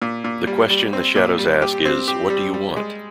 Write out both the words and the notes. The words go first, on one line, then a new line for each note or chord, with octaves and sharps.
The question the Shadows ask is What do you want?
A#2
A#2
G3
G3
C4
A#2
G3
G4
C4
G4
G3
G3
G#3